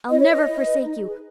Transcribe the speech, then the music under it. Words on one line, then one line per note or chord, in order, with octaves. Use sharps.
I'll never forsake you.
E4 D#5
C#5
B4 D#5
E4
B4
D#4
G#4 B4